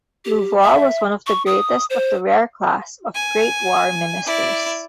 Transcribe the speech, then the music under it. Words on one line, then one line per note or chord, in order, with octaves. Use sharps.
Louvois was one of the greatest of the rare class of great war ministers.
G4
E5
C#6
D#6
C5
G#5
E4 D5